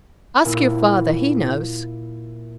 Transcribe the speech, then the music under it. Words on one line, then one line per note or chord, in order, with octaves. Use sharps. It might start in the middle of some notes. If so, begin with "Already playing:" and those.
"Ask your father, he knows."
A#2 E4